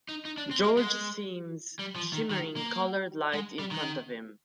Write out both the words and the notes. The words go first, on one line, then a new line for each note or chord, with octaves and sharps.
George sees shimmering colored light in front of him.
D#4
D#4
D4
C4
A#3
G#3
G3
F3
D#3
D#3
A#3
G#3
G3
D#3